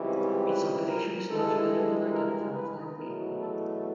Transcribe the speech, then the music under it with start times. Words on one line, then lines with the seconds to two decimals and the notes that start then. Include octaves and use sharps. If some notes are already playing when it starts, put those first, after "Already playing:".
Its operation is logically inverted from Form A.
Already playing: C#2 C3 E3 G3
0.46 B4
0.87 A#4
1.29 G2 E3 G#3 A4
2.13 A#4
2.55 B4
2.97 E2 B2 F#3 A3 A#4
3.38 A4